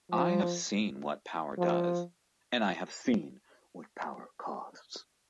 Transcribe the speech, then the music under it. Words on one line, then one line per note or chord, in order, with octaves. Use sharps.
I have seen what power does, and I have seen what power costs.
F3
F3